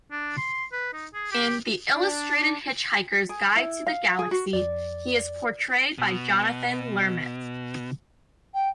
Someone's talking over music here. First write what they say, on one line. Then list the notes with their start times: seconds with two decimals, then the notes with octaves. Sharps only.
In "The Illustrated Hitchhiker's Guide to the Galaxy", he is portrayed by Jonathan Lermit.
0.11 D4
0.37 C6
0.72 B4
0.93 D#4
1.14 G#4
1.31 G4
1.94 D4
3.29 G#4
3.56 E4
3.87 F5
4.19 G#4
4.31 F#4
4.53 F2 D5
5.98 B2
8.54 G5